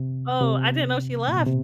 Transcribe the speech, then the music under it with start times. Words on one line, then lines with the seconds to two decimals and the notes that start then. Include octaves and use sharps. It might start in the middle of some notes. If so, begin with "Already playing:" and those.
Oh, I didn't know she left.
Already playing: C3
0.41 C3
1.28 A#2
1.37 B2
1.46 C3